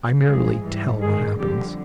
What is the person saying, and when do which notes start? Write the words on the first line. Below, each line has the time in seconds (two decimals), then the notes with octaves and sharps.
I merely tell what happens.
0.24 G#2 F3 G#3 G#4
0.63 G#2 E3 G3
1.00 G2 D#3 G#3 G#4
1.38 F2 D3 G3 G4